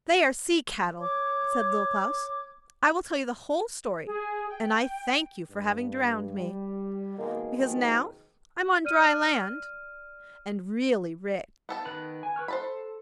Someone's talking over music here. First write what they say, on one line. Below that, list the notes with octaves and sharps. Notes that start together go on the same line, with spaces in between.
'They are sea-cattle!' said Little Klaus. 'I will tell you the whole story, and I thank you for having drowned me, because now I am on dry land and really rich!
C#5 D6
G#4
G5
G2
G3
B2 D#3 G#3 A#3
G#2 B2 D#3 F3 G#3
D5 F6 D#7
B3 A4 A5
D#3 B4 B5
G#5
B4 C#6 F6
A4 C5 A5 B5